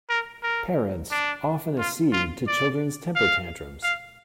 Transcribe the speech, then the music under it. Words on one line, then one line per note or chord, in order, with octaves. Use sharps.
Parents often accede to children's temper tantrums.
A#4
A#4
D4
F4
F4
D5
F5
F5